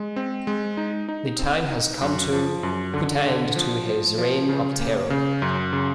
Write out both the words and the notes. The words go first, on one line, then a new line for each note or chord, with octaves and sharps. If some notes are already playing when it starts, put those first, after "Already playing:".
The time has come to put an end to his reign of terror.
Already playing: G#3
C4
G#3
D#4
D#4
C4
D#4
F#2
F3
F#2
D3
D3
F3
F3
F3
C#3
A#3
C#3
F#2
C#3